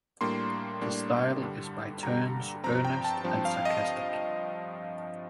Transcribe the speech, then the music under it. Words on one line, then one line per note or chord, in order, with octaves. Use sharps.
The style is by turns earnest and sarcastic.
A2 G3 A#3 D4 C6
A2 G3 A#3 D4
G2 D3 G3
G2 D3 G3 A#5
G2 F3 C4 A#5
G5
A5
G2 F3 C4
F5
D#5